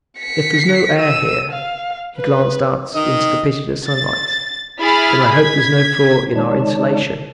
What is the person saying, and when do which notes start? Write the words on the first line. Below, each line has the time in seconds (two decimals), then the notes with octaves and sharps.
If there's no air here--" he glanced out into the pitiless sunlight--"then I hope there's no flaw in our insulation.
0.19 B6 C#7
0.99 E6 D#7
1.51 F5
2.16 B4
2.95 D#3 D#5
3.88 A6
4.80 E4 G#4 B5 F6 A6
5.33 G#6 B6
6.36 D#3 G#3 D#4 C#5 D5 A5